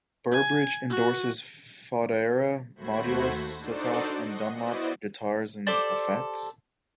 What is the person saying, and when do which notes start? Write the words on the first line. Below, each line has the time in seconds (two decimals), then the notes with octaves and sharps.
Burbridge endorses Fodera, Modulus, Sukop and Dunlop guitars and effects.
0.32 G#5
0.90 F#4
2.75 D#2 A3 F#4 C5 B5 G#6
3.59 D4 D#4 F#4 A4 C5 D5
4.23 D#5 F#5 C6 C#6
4.52 B3 E4 F#4 C5 D5 D#5
5.67 G4 A4 C5 D5